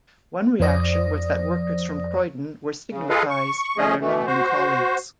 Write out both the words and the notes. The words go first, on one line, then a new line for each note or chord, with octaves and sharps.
One reaction was that workers from Croydon were stigmatised by their London colleagues.
F2 F3 C5 D5 D#6 A#6
C#3
F4 G#4 A4 B4 D#5 F5
C#6
F3 A3 C#4 G#4 D#5
B2 E3 A3
F#4 C5